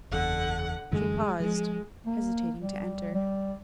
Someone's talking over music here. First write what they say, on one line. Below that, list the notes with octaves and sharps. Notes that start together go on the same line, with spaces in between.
She paused, hesitating to enter.
F#1 E2 D3 F#5
F#2 D3 E3 G#3
F3 G#3
A#3
G3
G3